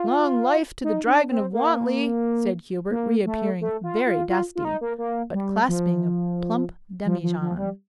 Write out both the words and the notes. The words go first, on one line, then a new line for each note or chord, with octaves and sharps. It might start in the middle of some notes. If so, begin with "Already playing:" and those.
"Long life to the Dragon of Wantley!" said Hubert, reappearing, very dusty, but clasping a plump demijohn.
Already playing: F4
D#4
D4
C4
A#3
A#3
A3
A3
F4
F4
F4
F4
D#4
A#3
A#3
G3
F3
F3
F3
F3
G3